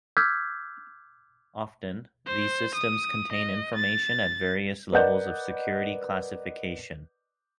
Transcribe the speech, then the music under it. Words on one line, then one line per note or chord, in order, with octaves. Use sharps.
Often, these systems contain information at various levels of security classification.
D6 E6 F6 G6 G#6 B6
C5
D#6
D#5
A6
A#4 B4 D5 D#5 F#5 G6